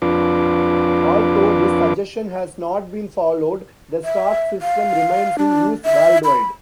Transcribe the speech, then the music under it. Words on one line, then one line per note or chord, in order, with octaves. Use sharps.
Although this suggestion has not been followed, the Stock system remains in use worldwide.
F2 D4 F4 B4 D6
E5
F5
D4
E5
B5